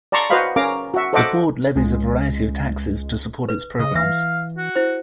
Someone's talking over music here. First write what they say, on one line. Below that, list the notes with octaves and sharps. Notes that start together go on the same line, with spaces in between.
The board levies a variety of taxes to support its programs.
D5 A5 A#5 C6 C#6
F#4 B4 C5 D#5 F5 B5
C#4 A#4 F5 A#5 D6
F#4 E5
A4 C5 D#5 E5 F#5 D6
C#2 G#3
B4
C#3 D#5
E3 E5 F5
F#4
E4 C5